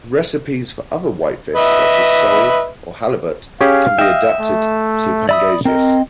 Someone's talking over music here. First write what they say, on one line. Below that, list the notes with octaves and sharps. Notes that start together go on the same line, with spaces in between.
Recipes for other whitefish such as sole or halibut can be adapted to Pangasius.
B4 D#5 E5
C#4 G4 G#4 F5
D#5 E5 G5
A3
D5 E5 B5 D#6
C4 A#4 D#5